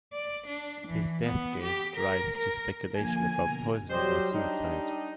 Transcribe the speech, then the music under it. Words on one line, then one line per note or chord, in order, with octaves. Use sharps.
His death gave rise to speculation about poisoning or suicide.
D5
D4
E3
B3
G4
A#4
A#4
D3 F3 A#3 G#5
B2 A#4
F#3 G3 G4 C5 D#5
G3 D4 D#4